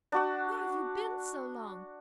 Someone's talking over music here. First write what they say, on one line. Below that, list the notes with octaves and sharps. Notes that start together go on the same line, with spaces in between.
Where have you been so long?
D4 F#4 F#5